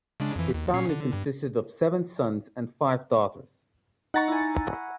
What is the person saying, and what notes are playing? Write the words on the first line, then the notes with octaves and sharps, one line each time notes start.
His family consisted of seven sons and five daughters.
C#3 G#3 D4
F2 E3
D#2
A#2 C#4 C7
D3
G2
D#4 F#5 A#5 C#6 A6
E4 G#5